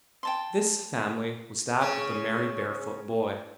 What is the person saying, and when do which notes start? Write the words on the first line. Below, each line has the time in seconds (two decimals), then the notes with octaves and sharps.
This family was that of the merry barefoot boy.
0.23 G5 A5 C6
1.81 C#3 C#4